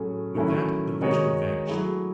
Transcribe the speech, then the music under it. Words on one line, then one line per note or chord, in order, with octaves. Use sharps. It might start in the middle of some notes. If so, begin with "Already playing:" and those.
With that the vision vanished.
Already playing: A2 F#3 A3 C#4 G#4
D#3 F#3 A3 C#4 E4
D#3 G#3 D#4 F#4 C#5
F#3 A3 E4 G#4